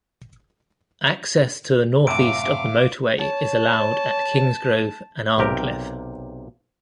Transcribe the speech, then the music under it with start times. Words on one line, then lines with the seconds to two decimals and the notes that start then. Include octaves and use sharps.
Access to the north east of the motorway is allowed at Kingsgrove and Arncliffe.
2.07 F#2 A2 C3 E5 F5 D6 D7
3.18 C#5 A5
5.38 B1 C3 G4 A#4